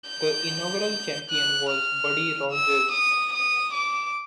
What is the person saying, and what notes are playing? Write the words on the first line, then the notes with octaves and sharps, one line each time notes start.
The inaugural champion was Buddy Rogers.
G6
F#6
F6
E6
D#6
D#6
D6